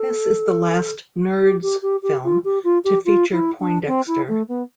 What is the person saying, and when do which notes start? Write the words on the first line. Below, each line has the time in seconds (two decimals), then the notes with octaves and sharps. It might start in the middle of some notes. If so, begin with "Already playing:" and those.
This is the last "Nerds" film to feature Poindexter.
Already playing: A4
1.42 G4
1.62 G4
1.82 G4
2.02 G4
2.24 F4
2.44 G4
2.64 F4
2.84 G4
3.05 F4
3.31 E4
3.59 D4
3.86 C4
4.07 E4
4.28 A3
4.48 B3